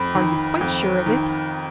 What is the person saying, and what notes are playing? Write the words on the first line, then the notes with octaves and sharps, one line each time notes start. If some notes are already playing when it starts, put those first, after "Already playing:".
"Are you quite sure of it?"
Already playing: F2 B5
D#3
F2
D#3